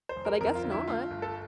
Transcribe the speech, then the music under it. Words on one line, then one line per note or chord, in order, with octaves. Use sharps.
but I guess not.
C5
F1
A#4
F2 A#4
F4
D3
E4
A3 F4
G1
A4